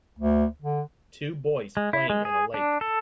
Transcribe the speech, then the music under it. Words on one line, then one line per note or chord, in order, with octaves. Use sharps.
Two boys playing in a lake.
D2
D3
G#3
E4
G#3
G#4
D4
A4